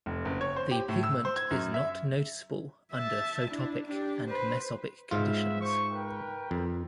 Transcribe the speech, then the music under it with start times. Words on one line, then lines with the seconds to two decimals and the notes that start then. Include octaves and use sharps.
The pigment is not noticeable under photopic and mesopic conditions.
0.06 F1
0.25 F#1
0.41 C#5
0.56 C5
0.71 G4
0.89 A2
1.03 E6
1.25 C5
1.36 G#6
1.51 F#2
1.74 E5
2.93 E5 A5
3.50 D4 E4
3.86 D4 G4
4.28 B4 C5
5.11 G#2 B3 C4 F4 E5
5.59 C5 C#6
5.91 A#4 B4 G5
6.51 F2